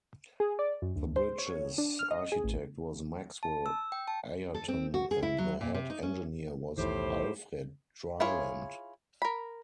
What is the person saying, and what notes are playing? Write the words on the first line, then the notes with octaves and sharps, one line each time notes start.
The bridge's architect was Maxwell Ayrton and the head engineer was Alfred Dryland.
G#4
D5
F#2
D2
C5
C#5
D4
F6
D#5
G#4
A1
A5
E6
G5
A5
A4
C4
F#4
G#4
E4
F#3
A#2
C3
D#4
C#4
B1 E2 A2 D#3 E4 G4 C5
E4 F4 G#4 C#5
A#4 B5